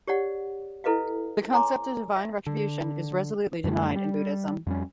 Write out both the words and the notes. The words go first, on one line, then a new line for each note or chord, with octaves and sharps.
The concept of divine retribution is resolutely denied in Buddhism.
G4 C#5 D5 F#5
E4 A4 B4 D#5 F5
C#5 G#5 A#5 C6 D6
E5
D3
F#2 D3 G3 A3
G3
F2 G3 C#4